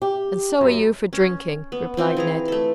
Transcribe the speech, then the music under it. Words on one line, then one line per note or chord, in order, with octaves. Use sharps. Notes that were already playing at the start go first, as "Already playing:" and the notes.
"And so are you for drinking," replied Ned.
G4
F#2
C#4
B3
F3 C4 D#4
E3 G#4 A#5
A3 A4